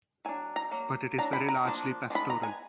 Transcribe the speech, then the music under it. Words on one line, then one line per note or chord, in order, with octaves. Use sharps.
But it is very largely pastoral.
F#3 D4 G#5
A#5
F#3 A#3
F#3 D4 A#5
B5
A#5
F3 A#3 D4
G#3 B3 D4 B5
A#5
G#5